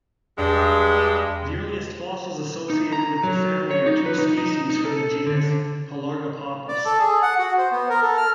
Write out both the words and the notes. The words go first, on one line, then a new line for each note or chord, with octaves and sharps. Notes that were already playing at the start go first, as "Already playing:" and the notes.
The earliest fossils associated with the family are two species from the genus "Pelargopappus".
E2 G2 G#3 D4
D#4
A#5
F#3
C#5
D#4
B4
D#4
D#4
D#4
A4
D3
D5
A4
G#4
F#5
F#4
C5
B3
A#4
A4
F6